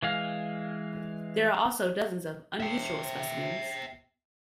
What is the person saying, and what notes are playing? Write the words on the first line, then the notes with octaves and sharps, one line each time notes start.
There are also dozens of unusual specimens.
E3 G#3 F5
E5 G5